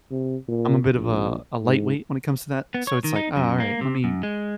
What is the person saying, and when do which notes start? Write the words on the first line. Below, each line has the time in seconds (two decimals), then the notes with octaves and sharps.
I'm a bit of a a lightweight when it comes to that. So it's like, "Ah, alright, lemme
0.11 C3
0.48 A#2
0.94 A#1
1.63 G#2
2.74 B3
2.87 C#5
3.04 D#3
3.16 D#4
3.36 F#2
3.60 A#3
3.81 C3
4.04 F#2
4.23 G#3